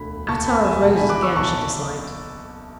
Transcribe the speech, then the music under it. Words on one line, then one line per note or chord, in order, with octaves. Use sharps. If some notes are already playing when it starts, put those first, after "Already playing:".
Attar of roses, again, she disliked.
Already playing: E1 D2 D3 B5
E1 D2 D3 A5 C#6
G#5 B5
E5 G#5
B1 B2 F#5 A5
G#5 B5
D6 F#6
C#6 E6
B1 B2 A5 C#6